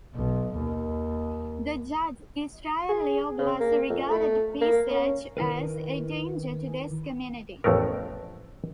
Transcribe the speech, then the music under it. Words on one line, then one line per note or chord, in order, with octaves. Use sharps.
The judge Israel Leo Glasser regarded Pesach as "a danger to this community".
B1
D#2
G#4
C#3
A#3
F2
A3
A#3
C#4
D#3 E4 A#4 B4
A1 F2 A3 B3 A#4